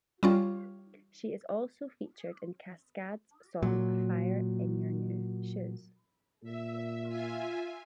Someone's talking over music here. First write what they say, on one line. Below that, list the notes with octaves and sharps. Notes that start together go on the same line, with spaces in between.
She is also featured in Kaskade's song "Fire in Your New Shoes".
G3 C#4 F4
A#2 F#3
A#2 E5
F4 E5 G#5